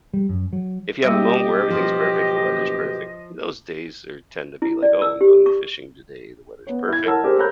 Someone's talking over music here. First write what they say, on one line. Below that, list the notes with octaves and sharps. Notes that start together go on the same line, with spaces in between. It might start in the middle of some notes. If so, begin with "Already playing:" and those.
if you have a moment where everything's perfect, the weather's perfect, those days are tend to be like, "Oh, I'm going fishing today, the weather's perfect,"
G3
F#2
F#3
F#1 B2 G3 A#3 G4 D#5
F3
E4
D5
E6
G4
C#6
B3 C#5
E4 G#6
E4 A#4 C#5 F#5 A5 E6
D4 G4 G#4 A#4 C5
A#4 C#5 A#5 B5 F#6 G6